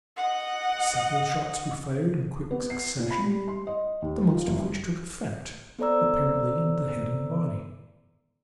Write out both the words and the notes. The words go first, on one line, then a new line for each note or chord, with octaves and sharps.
Several shots were fired in quick succession, the most of which took effect, apparently, in the head and body.
D#5 F#5
B3
C7
A#2
B5
G3
C6
D#5
D#2
F4
F#1
B3 A4 C5 D5 A#5 E6